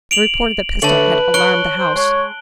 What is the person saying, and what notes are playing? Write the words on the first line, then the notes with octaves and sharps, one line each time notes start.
The report of the pistol had alarmed the house.
D7 F7 F#7
D3 A3 B4 C#5 A5 F#7
C#5 F#6 D7 G7
C5
G#3 C#5